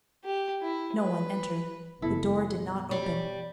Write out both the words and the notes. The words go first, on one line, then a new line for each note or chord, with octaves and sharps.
No one entered; the door did not open.
G4
E4
B4
F#1 B3 E4 A4
B2
G3 C#5